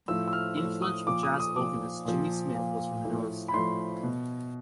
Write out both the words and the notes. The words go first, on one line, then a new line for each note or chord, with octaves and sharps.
Influential jazz organist Jimmy Smith was from Norristown.
A2 F3 E6
E6
F6
A2 F3 E6
D#6
A#2 F3 D6
D#6
D#6
A#2 F3 D6
A#2 F3
A#2 F3
A2 F3
B5
A2 F3 C6
B2